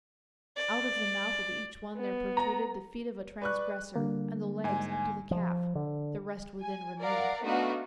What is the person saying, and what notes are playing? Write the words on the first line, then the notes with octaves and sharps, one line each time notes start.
Out of the mouth of each one there protruded The feet of a transgressor, and the legs Up to the calf, the rest within remained.
D5
B3
A#5
B4 D5 C#6 F#6
D3 G3 A#3
G#2 G#5
F3
D3
G#5
A#4 D5 F5 F#5 A#5
A3 B3 D4 D#4 F#4 F5